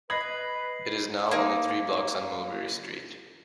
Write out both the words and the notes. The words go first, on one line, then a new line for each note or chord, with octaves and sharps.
It is now only three blocks on Mulberry Street.
B4 D#5 B5 D#6 G#6 A#6 C7 F#7
A#3 D#4